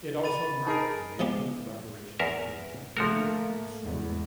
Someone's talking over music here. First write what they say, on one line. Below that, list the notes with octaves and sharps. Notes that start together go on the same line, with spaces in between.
It also marked the maiden collaboration between Kathir and Soori.
B5 A6 D#7
D#4 G#4 A#4 A5 D7
F3 G#3 B3 G4
E2 A#4 E5
F3 A3 A#3 F#4 A#4
E2 G#3 B3